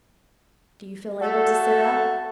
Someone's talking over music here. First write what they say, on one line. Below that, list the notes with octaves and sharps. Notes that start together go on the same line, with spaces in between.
Do you feel able to sit up?'
A3 F#4 A4